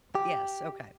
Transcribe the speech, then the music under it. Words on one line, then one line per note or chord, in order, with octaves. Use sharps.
Yes, okay.
G4